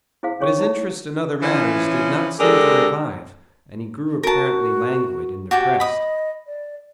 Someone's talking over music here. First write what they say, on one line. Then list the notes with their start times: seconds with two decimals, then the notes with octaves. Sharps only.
But his interest in other matters did not seem to revive, and he grew apparently languid and depressed.
0.23 E4 G#4 C5 F5
0.40 C#4 G#4 C#5 C#6
0.59 D#4 E4 C#5
1.42 E3 F3 C#4
2.39 D3 G#3 G4 A4 A#4 D5
4.23 F#4 A#4 A5
5.51 F#4 G4 A5
5.80 D#5 B5 D#6
6.47 D5